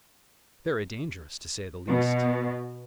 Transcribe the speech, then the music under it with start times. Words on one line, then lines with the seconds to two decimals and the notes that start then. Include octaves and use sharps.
"Very dangerous, to say the least."
1.88 B2